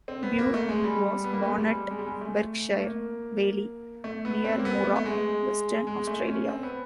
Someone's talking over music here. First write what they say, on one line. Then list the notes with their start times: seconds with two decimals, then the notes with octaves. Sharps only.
Burke was born at Berkshire Valley, near Moora, Western Australia.
0.08 C4
0.23 B3
0.39 A#3
0.54 A3
0.69 G#3
0.84 G3
1.24 B3
1.33 A#3
1.42 A3
1.51 G#3
1.61 G3
1.91 G#3
1.99 G3
2.07 G#3
2.21 A3
2.74 A3
2.83 A#3
4.04 A3
4.25 B3
4.45 C4
4.59 A#3
4.65 B3
4.85 A3
4.96 A3
5.05 G#3
5.87 G#3
6.07 A3
6.27 C#4
6.48 C4
6.63 B3